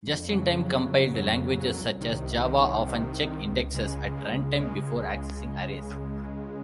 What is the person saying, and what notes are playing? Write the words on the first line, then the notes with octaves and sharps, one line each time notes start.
Just-in-time compiled languages such as Java often check indexes at runtime before accessing arrays.
F2
C#3 F#3
F2
C#3 F#3
F2
C#3 F#3
F2
C#3 F#3
C2
C3 D#3
C2
C3 D#3
C2
C3 D#3
C2
C3 D#3
C#2
C#3 G#3
C#2
C#3 G#3
C#2
C#3 G#3
C#2
C#3 G#3